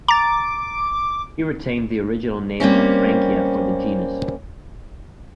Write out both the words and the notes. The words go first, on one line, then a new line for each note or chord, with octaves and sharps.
He retained the original name of "Frankia" for the genus.
A#5 D6 A6
G3 A#3 C4 C#4